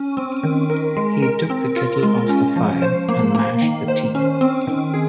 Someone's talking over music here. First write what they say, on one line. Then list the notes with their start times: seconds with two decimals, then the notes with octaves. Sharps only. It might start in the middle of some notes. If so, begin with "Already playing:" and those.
He took the kettle off the fire and mashed the tea.
Already playing: C#4
0.17 C4
0.43 D#3
0.70 A#4
0.97 G#3
1.22 A#4
1.50 C4
1.76 F4
2.03 G#3
2.29 C#4
2.56 F3
2.82 C5
3.09 A#3
3.35 A#3
3.62 D#3
3.88 C5
4.15 C#4
4.41 C4
4.67 D#3
4.94 G#4